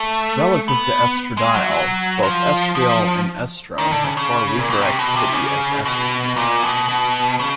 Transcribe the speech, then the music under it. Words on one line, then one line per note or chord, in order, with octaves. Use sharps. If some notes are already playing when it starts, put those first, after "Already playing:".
Relative to estradiol, both estriol and estrone have far weaker activity as estrogens.
Already playing: A3
B3
G#3
F#3
F#3
F3
F3
D#3
D3
C#3
C#3
A#2
B2
C3
B2
C3
C#3
B2
A#2
B2
B2
C#3